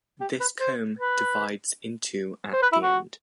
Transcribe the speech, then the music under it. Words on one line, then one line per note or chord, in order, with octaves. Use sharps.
This comb divides in two at the end.
G4
B4
C5
B4
C5
B4
E4
F#4